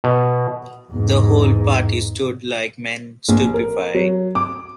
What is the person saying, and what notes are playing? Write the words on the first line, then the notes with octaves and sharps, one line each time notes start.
The whole party stood like men stupefied.
B2
E2 G#2
A#1
A#4
F#3
D6